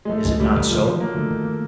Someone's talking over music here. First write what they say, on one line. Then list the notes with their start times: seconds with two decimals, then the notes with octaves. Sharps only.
Is it not so?
0.05 G#3
0.09 F#3 A3
0.24 C#2 G#3
0.40 C#2 G3
0.55 C#2
0.70 D3 F3
0.85 F3 F#3
1.00 F#3 A#3
1.15 D3 A3
1.31 D#3
1.45 A#3